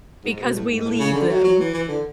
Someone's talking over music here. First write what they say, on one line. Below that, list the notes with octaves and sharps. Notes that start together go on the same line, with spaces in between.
Because we leave them.
G#2
B2
A2
G#2
A2
C#3
D3
F#3
F#3
E3
E3
D3